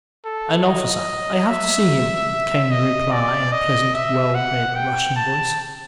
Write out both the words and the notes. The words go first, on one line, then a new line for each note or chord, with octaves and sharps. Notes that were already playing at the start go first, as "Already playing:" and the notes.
"An officer, I have to see him," came the reply in a pleasant, well-bred Russian voice.
A4
D#5
E5
D#5
D5
D#5
E5
F#5
G5
A5